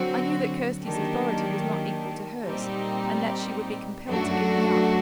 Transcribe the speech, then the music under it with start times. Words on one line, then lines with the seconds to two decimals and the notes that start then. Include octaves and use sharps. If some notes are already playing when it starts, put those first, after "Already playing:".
I knew that Kirsty's authority was not equal to hers, and that she would be compelled to give me up.
Already playing: D3 F#3 C4 F#4
0.83 D#3 F#3 A#3 D4 G4
2.45 A#2 G3 C4 D#4 G4
4.07 F#2 F#3 A3 D4 F#4